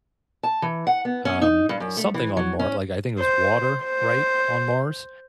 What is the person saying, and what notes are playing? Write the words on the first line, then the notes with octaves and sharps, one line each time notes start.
um, something on Mar like, I think it was water, right, on Mars?
A5
E3
F#5
B3
C#4
D#4
G2
F#2
A3
E3
F#3
C#4
C5
C5